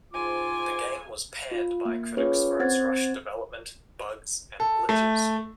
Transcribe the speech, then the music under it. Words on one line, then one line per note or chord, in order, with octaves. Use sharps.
The game was panned by critics for its rushed development, bugs and glitches.
G#2 F4 G#5 D6
F4
A#3
C#4 F4 G#4 B4 C#5
C4 C5 F#5 G#6 A6
A4
A3